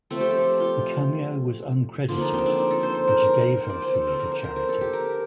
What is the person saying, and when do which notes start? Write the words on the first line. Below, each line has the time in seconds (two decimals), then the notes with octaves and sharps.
The cameo was uncredited and she gave her fee to charity.
0.10 F3 A3 C4 A4
0.20 G4
0.31 A4
0.60 F4
2.08 D3 F3 A#3 F4
2.21 D#4
2.34 C4
2.46 D4
2.58 D#4
2.71 A4
2.83 C5
2.95 C5
3.08 A#4
3.24 A#4
3.41 A#4
3.57 C5
3.70 D5
3.82 C5
3.94 A4
4.07 D3 F3 C4 A#4
4.19 A#4
4.32 C5
4.44 A#4
4.56 A#4
4.69 A4
4.81 G4
4.93 A#4